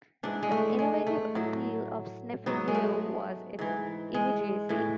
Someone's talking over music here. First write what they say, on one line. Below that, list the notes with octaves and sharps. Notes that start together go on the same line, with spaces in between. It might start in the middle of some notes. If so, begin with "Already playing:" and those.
The innovative appeal of "Sniffin' Glue" was its immediacy.
G#2 E3 D4
G#3
A3
G#3
A3
A2 F#3
G#2 F#3 B3
G#3
A3
G#2 E3
G#3
A2 E3